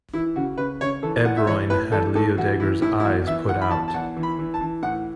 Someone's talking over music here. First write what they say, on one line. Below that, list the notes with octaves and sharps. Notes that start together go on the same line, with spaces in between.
Ebroin had Leodegar's eyes put out.
E3 E4
C#3 F#4
C#3 B4
C#3 C#5
E3 A4
A2 F#5
E5
E3 C#5
A2 B4
E3 A4
A2 A4
E3 F#4
E3 E4
A2 E4
E4
E2 F#4
E3 E5
E3 F#5
B5
E2 A5
A5
E2 F#5
E3
B5
E3
A5
E3
A2 F#5